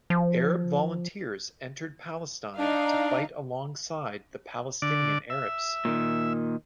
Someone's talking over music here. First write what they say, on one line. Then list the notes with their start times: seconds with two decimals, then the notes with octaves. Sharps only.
Arab volunteers entered Palestine to fight alongside the Palestinian Arabs.
0.10 F3
2.58 D4 D#4 F5
4.82 D3 D5
5.30 E5
5.85 A#2 D#3